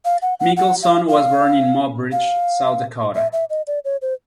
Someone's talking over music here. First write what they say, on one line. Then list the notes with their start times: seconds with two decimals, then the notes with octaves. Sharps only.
Mickelson was born in Mobridge, South Dakota.
0.05 F5
0.22 F#5
0.40 F#5
0.57 F#5
0.83 F5
1.09 F5
2.12 F5
3.15 E5
3.33 E5
3.50 D#5
3.67 D5
3.85 C#5
4.02 C5